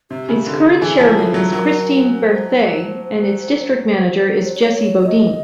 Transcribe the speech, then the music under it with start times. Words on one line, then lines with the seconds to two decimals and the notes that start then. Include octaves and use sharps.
Its current chairman is Christine Berthet, and its District Manager is Jesse Bodine.
0.11 C3 G4
0.29 C#3
0.47 D3
0.82 E3 G#4
0.98 F3 B4
1.08 A#4
1.17 A4
1.34 F#3
1.53 F#3 A#4
2.23 C5
4.36 C#5
4.45 C5
4.54 C#5
5.06 D#5